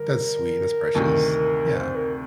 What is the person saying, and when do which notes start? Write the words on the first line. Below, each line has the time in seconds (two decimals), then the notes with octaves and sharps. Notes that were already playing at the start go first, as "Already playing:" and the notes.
That's sweet, that's precious. Yeah,
Already playing: D3 G3 A#4
0.95 D2 C3 D#3
1.76 C5
1.96 A#4